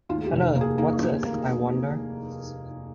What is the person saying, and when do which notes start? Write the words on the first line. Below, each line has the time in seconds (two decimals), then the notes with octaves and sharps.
Hello, what's this, I wonder.
0.09 D#2 F4
0.26 G4
0.33 F1
0.55 A#3
0.61 G#4
0.78 A#3 D#4
1.02 D#3
1.25 A#3